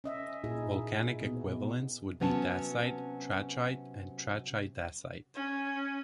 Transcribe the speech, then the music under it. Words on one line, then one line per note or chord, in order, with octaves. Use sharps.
Volcanic equivalents would be dacite, trachyte and trachydacite.
C#4 D#5 E5
A#2 D#4 E4 G#4
B2 B3
C3 F#3 B3 C#4 G5 A5
C#4